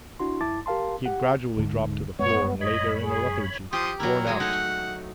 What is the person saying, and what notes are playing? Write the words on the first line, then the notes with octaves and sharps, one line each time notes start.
He had gradually dropped to the floor, and lay there in a lethargy, worn out.
D4 E4 F#4 C6
F#2 E4 A5 D6 A6
G4 A#4 F5 A5 C6
G4 F#5
D1 G#2 D3
F#2 G#3 B3 C#5
C#5 D#5 B5
G#4
F3 G4 C6 D#6
F#3 E4 A#4
F#3 G#3 G#4
A3 D#4 F#5